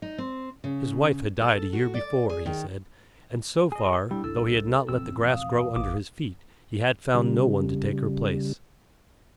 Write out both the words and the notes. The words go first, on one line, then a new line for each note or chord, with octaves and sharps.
His wife had died a year before, he said, and so far, though he had not let the grass grow under his feet, he had found no one to take her place.
D#4
C4
C#3
A4
F#4
D5
G#4
D#3
G#4 D#5
G3 D4 E4
C2 A4 E6
E1 A2 F3 C4 E6
F5 D#6
G#1 D6
C#3 G3